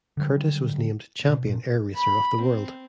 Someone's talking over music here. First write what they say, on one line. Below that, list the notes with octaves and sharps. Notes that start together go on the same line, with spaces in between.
Curtiss was named "Champion Air Racer of the World".
D3 F#3 G3
B2
A#2
B5
C4